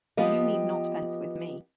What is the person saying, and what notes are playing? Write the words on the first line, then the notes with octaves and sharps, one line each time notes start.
You need not fence with me.
F3 B3 G4 D#5